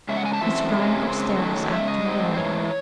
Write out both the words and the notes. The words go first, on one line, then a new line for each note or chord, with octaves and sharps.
He sprang upstairs after Wally.
C#3 G#3 E5
F#5
G#5
A5
F#2 E3 A3 C4 E5
C3 E3 G#3 C#4
C#3 G#3 C4
F#2 D#3 F#3 A3 C#4
C#3 G#3 E5
D#5
G#2 F#3 C4
G#2 E3 C#5